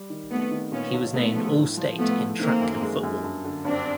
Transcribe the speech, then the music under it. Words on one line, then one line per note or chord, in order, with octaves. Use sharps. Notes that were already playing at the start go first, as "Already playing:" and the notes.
He was named All-State in track and football.
Already playing: G3
D#3
A3 B3 C4
D#3
A#2 B3 C#4
B1
B1 A3 B3
F3
A2
F3
F3 A3 B3
A3
D#3 A#3 C4
F#2
G#3
F#2
G2
D3
G2 C4 D4